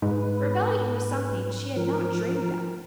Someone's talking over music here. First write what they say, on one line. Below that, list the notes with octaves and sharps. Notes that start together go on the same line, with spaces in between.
Rebellion was something she had not dreamed of.
G#2 B4
F3 A#4